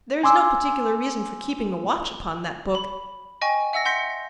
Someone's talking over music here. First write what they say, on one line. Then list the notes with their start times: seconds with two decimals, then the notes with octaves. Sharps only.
There is no particular reason for keeping a watch upon that book.
0.24 G#5 C6 D6 E6
2.74 B5 F#7
3.41 D#5 G5 G#5 C#6
3.73 E5 F#5 E6 A#6
3.85 F#5 C6 G6 A#6 B6 C#7